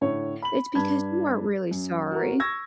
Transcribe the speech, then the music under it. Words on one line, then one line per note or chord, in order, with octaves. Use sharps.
it's because you aren't really sorry
A2 D3 C#5
B5 F#7
G2 D4 B5 G#6
F#2
F#4 A#4
C#6 E6 G#6 A#6